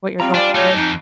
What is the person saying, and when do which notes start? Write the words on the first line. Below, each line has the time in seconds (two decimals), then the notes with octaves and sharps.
what you're going through.
0.20 G3 C4 F4 A#5
0.35 D4 D5 G#5 A5 D6
0.55 A3 D#4 C#5
0.76 F2 D#4